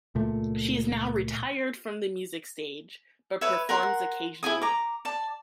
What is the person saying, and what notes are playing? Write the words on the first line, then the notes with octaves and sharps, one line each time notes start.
She is now retired from the music stage but performs occasionally.
C#2 A#2 A3
B4 C#5 E5
A#4 F#5 C6
E4 G#4 G#5 D#6
A#5 D6
D5 A5